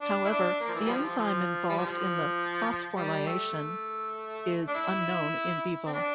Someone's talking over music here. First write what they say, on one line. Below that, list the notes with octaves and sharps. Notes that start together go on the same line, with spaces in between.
However, the enzyme involved in the phosphorlyation is unknown in vivo.
D4
E4
D4
A#3
F3
E3
G3
F3
F3
F3
G3
F3
G3
A3
D4
E4
C4
D4